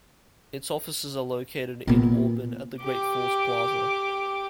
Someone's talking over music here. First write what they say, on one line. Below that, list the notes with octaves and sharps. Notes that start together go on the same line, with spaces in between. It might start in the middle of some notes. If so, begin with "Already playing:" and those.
Its offices are located in Auburn at the Great Falls Plaza.
A#2 B3
G4 D6